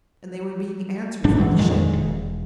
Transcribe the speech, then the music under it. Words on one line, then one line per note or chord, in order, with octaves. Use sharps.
And they were being answered from the ship!
A1 G#2 G3 D4
E3 F#3 G#3
F2 A#2 D#3 G#3
E1